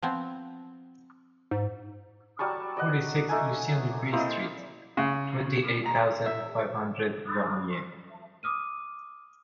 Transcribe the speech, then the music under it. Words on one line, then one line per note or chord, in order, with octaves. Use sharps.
Forty-six Lucien Dupuis Street, twenty-eight thousand five hundred Vernouillet.
F3 B3 C4
G#2
F#3 G3 A5 C#6
D5 D#5 F#5
A3 D#4 A4 G#5
A#3 E4 C5 D#5
C#3
A#5
E5
D6 D#6 F6 D#7